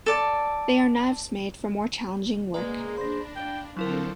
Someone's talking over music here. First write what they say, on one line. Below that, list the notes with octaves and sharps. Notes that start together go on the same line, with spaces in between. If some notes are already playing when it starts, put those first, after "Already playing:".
They are knives made for more challenging work.
A4 D5 A5
A#2 C#3 G#3 A#3 G#4 B4 D5 A#5
D4 C5 B5 A#6
A#3 G4 D5 G5
D3 F3 F#3 C4 E4 A4 A#4